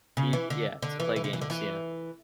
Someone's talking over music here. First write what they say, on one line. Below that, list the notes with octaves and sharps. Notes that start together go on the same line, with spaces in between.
E yeah, to play games, yeah.
C#3
E3
D3
D3
E3
E3
D3
E3
D3
E3